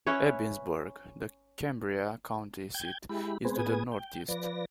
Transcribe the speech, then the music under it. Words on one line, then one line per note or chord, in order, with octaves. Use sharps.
Ebensburg, the Cambria County seat, is to the northeast.
C#4 E4 B4 C#5
G5 G6 G#6
G#3 E4 G4 B5
G#3 B3 C4 G#4 B4 C5
A2 B3 G#4 B4 G#5 D#6
G5
F3 B4 D5 A#6